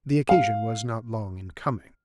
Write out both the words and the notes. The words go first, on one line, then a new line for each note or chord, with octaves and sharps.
The occasion was not long in coming.
F5